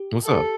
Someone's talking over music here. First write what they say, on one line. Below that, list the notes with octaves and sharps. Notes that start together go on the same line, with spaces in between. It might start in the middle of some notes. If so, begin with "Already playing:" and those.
What's up?
Already playing: G4
A4